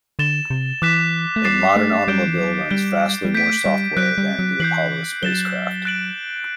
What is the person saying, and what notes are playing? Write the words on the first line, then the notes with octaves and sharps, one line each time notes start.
A modern automobile runs vastly more "software" than the Apollo spacecraft.
D3 A6 E7 G7
C3
E3 D6 F#6 B6 E7
A3
G3 D6 A6 C7 E7
A3
G3 G6 D7 G7
E3
F#3
G3 G6 D7 G7
G3
A3 G6 B6 D7
G3
F#3 F#6 B6 D7
G3
F#3
E3 G6 C7 F#7
F#3 A6 E7 G7
F#6 A6 D7 F#7